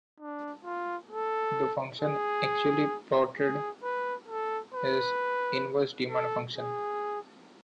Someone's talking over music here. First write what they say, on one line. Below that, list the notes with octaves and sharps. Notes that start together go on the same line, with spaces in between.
The function actually plotted is the inverse demand function.
D4
F4
A4
G#4
G#4
B4
A4
B4
A4
G#4